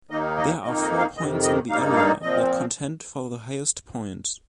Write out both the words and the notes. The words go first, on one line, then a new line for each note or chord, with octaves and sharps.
There are four points in the area that contend for the highest point.
D#2 D#3 A#3 D#4 D#5
D#5
F2 D#3 A#3 D#4 D#5
D#5
F5
F2 C3 D#3 D#5
D#5
G2 G3 A#3 D#4 F5
F5
A#2 F3 C4 D#5